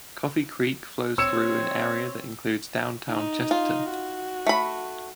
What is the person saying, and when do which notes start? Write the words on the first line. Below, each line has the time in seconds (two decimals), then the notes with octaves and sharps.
Coffee Creek flows through an area that includes downtown Chesterton.
1.18 C4 C#5 E6 C#7 E7
3.10 D#4
3.51 F4
3.91 F#4
4.47 A3 B5